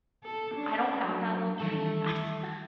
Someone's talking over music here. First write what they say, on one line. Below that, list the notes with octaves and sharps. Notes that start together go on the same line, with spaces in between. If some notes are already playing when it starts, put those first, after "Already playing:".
I I don't have that luxury. I sta
A4
C#4 D4
F#3
D#3 E3 G3 A3 A4